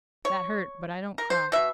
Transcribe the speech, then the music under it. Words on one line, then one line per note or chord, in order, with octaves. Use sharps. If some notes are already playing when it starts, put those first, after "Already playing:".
"That hurt, but I don't cry."
C#5
A#4
C5
B2 E5